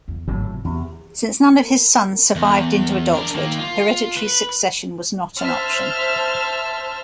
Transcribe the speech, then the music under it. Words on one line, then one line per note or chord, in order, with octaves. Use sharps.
Since none of his sons survived into adulthood, hereditary succession was not an option.
E2
G#1 A2 F#3
C3
E2
E2
D4 A#4
D#3 A#3
F4
B4
C5 E5 A5 F6